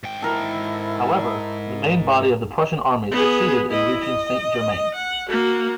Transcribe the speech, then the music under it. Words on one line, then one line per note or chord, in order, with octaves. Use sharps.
However, the main body of the Prussian army succeeded in reaching Saint-Germain.
G#2 G5
E4 A4 A#4
B3 G#4
E4 D#5
D#5
F#5
A#3 F#4